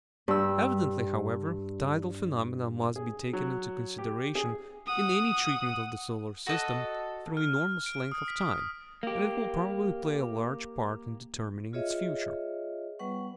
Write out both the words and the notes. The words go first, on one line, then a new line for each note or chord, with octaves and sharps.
Evidently, however, tidal phenomena must be taken into consideration in any treatment of the solar system through enormous length of time, and it will probably play a large part in determining its future.
G2 E6
G#4
F#3
G4
G#4
F#5 D#6
F#4 A4 D#5
F6
D7
D#6
B6
A#3 G4
F4 G#4 C#5 D#5 E5
G3 B3 B4 F#5 C#6